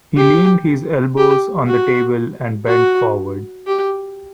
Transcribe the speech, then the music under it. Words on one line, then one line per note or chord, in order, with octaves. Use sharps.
He leaned his elbows on the table and bent forward.
G4
G4
F#4
F#4
G4